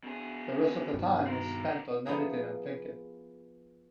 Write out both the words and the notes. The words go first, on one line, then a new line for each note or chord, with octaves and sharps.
The rest of the time is spent on editing and thinking.
B2 G#4
G2 B2 D#3
C4 A#4
F3 B3 E4 G#4 A#4